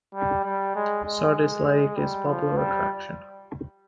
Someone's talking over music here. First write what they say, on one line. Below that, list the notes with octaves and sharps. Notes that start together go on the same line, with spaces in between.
Sardis Lake is a popular attraction.
G3
G3
G#3
G#3
G3
F3
G3